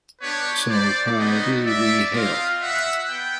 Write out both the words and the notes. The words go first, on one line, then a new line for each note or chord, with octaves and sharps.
So Proudly We Hail!
B3 D4 G4 B4 C#5
C5 D5
G3 B3 D#4 F#4 C#5 D#5
D5 E5
C4 F4 D#5 F5
E5 F#5
B3 G5